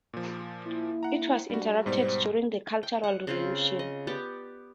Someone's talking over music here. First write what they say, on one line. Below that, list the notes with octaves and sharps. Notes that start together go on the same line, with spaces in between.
It was interrupted during the Cultural Revolution.
A#2 F3
A#3 E4
F#5 A#5
G3 D4 F#4
G#2 B2 G3 C5
G5
F#5
C#3 C4 F4
D#5
B3 G4 D5 G5